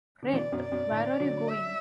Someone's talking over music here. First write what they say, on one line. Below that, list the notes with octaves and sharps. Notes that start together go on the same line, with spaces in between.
Rhett, where are you going?
D3
B2 E3 D5
F#2 B2
D5
F#2 B2
A2 D3
D3 F#3
E5